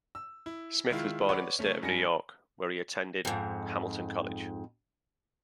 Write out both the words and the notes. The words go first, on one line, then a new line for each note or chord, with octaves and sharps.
Smith was born in the state of New York, where he attended Hamilton College.
E6
E4
D#3 G#3 E4 F4
B4 C#5 D5 F#5 B5
C#3 A3 C#4
G2 G#5 A#6 C#7
F2 G#2